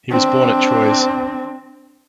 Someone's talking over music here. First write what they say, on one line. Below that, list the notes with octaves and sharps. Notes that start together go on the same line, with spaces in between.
He was born at Troyes.
C4 D4